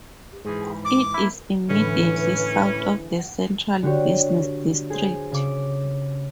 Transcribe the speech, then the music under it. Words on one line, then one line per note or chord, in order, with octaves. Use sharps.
It is immediately south of the central business district.
G#2 E3 G#4
D6
A#3 E4
A2 D3 E3 C#4 B4
D3 F#4 G4 C#5
G#4 C5
C#3 D6